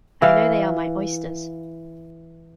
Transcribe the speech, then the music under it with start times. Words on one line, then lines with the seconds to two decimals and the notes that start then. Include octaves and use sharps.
I know they are my oysters.
0.22 E3 F5